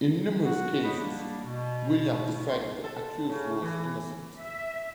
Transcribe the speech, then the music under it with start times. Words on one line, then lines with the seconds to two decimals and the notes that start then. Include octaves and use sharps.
In numerous cases Willam decided the accused was innocent.
0.45 F#4 F#5
0.83 C#5 D#5 F#5 G5 B5
1.00 G3 A#3 D4
1.45 B2
2.49 C#2 A#3 C6
2.84 A4
3.30 C#3
3.62 E3
4.39 E5